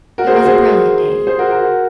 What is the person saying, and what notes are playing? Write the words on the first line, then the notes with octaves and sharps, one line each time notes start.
It was a brilliant day.
F#4 A#4
G#4 C5
F#4 A#4
G#4 C5
G#4 C5
F#4 A#4
F#4 A#4